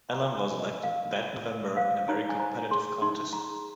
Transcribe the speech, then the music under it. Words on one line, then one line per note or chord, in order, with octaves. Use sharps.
Alan was elected that November in a very competitive contest.
A#5
F4
G#5
F4
D#5
A#4 F5
F4
A#4
C5 F5
D#4 A#5
G#5
C5 A#5
G#4 C6
D#4 C6
G#4 A#5